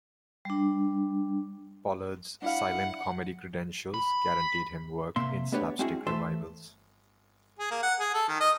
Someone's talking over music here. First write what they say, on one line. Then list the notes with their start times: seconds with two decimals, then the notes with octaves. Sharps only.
Pollard's silent-comedy credentials guaranteed him work in slapstick revivals.
0.45 G3 D4
2.42 D4 E4 F5 F#5
3.94 B5
5.16 C3 A#3 E5 C6
5.52 A3 B3 D4 G4 B4 C#5
5.79 G#3 C4 C#4 E4 F#4 G#4
6.07 E3 A3 C5 E5 A5 C6
7.59 G#4
7.71 A#3
7.83 F#5
8.00 G#4
8.14 A4
8.29 D#3
8.40 D#5